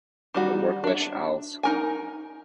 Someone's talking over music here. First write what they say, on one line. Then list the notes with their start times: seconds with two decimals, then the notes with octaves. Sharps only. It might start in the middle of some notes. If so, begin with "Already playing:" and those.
The Wirklich alles!
0.34 D#3 G3 F#4
0.84 D4 E5
1.63 D#4 A#4 G#5